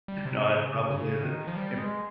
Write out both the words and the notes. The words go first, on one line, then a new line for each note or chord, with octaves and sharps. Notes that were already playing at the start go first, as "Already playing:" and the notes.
No, it probably isn't, if
G3
C3
C#3
C#3
D#3
F3
G3
G#3